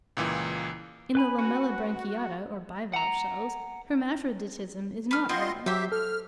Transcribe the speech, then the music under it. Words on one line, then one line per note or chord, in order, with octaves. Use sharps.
In the Lamellibranchiata, or bivalve shells, hermaphroditism is not rare.
C#2 A#2 E3
B4 G#5 B5
F#4
F#5 A#5
B4 F6
C4 F4 F#4 D#5 C6
F#3 G4 C5 E5 E6
A4 F6